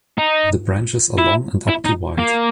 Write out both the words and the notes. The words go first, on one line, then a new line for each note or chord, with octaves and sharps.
The branches are long and up to wide.
D#4
E4
E4
D#4
A#3